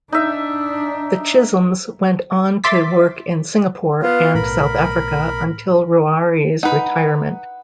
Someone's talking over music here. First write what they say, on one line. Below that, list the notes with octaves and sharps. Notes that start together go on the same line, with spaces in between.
The Chisholms went on to work in Singapore and South Africa until Ruari's retirement.
D4 D#4 E5
E5 C6 D6 A6 B6
B3 F4
B1 A2 A#4 B5
D#4 B4 F#5